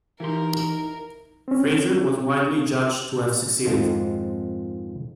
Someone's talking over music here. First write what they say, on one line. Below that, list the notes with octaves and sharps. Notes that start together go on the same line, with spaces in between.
Fraser was widely judged to have succeeded.
E3 D#4 E4 G4 A#4 C6
C4 C#4
F2 G#2 D#3 F3 G#3